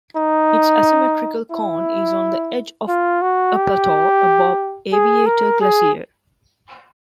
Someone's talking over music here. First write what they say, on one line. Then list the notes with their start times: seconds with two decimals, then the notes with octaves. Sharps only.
Its asymmetrical cone is on the edge of a plateau above Aviator Glacier.
0.16 D#4
1.51 E4
2.88 F4
3.22 F#4
3.56 G4
4.93 G#4
5.26 A#4
5.61 G#4